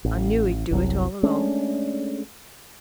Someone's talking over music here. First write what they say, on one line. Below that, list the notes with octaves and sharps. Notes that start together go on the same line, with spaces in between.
I knew he'd do it all long.
A1
G1 C2 F#3
G#3 A3 C#4 D4